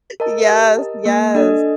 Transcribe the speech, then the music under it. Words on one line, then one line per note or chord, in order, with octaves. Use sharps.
Yes, yes.
A#4 D#5 A5
G4
A#4 D#5 A5
A#3
D4 A4 D#5